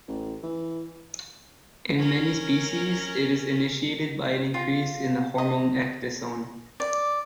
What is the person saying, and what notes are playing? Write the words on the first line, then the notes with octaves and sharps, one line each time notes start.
In many species it is initiated by an increase in the hormone ecdysone.
A1
E3
C#4 A#4
F4
D#5
D5